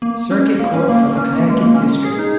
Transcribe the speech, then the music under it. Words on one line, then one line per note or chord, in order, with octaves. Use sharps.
Circuit Court for the Connecticut District.
A#3
C#4
A#3
C#4
A#3
C#4
A#3
G#3
A#3
C#4
G#4
D#4